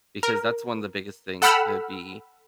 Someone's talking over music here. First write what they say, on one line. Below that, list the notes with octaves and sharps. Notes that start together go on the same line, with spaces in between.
Because that's one of the biggest things to be
A#4
A4 F#5 G5 B5 E6 F6